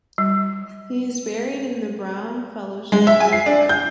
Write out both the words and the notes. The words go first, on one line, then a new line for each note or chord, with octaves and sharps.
He is buried in the Brown Fellowship Graveyard.
G3
G#3
E5
G#5
C7
D4
G6